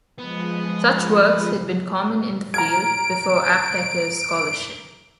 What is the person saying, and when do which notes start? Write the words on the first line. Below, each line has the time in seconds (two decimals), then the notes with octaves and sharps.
Such works had been common in the field before Aptheker's scholarship.
0.19 F3 G#3 B3
2.54 A#5 F6 G#6 D7